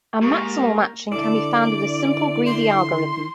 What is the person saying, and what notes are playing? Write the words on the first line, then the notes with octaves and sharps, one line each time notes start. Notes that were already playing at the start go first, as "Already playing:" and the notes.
A maximal matching can be found with a simple greedy algorithm.
G#2 A#3 G4 A#5 C#6
D3 E4 A4 D5 D6
C6